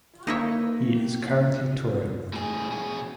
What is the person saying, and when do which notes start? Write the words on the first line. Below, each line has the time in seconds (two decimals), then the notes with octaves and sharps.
He is currently touring.
0.27 A#3 D#4 E4 C#5
2.34 A2 G#4
2.71 B2 G#4